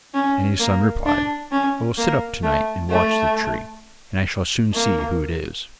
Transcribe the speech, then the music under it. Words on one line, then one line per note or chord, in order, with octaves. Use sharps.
And his son replied, 'I will sit up to-night and watch the tree, and I shall soon see who it is!'
C#4
A#3
D4
C#4
A#3
A3
A3
A#3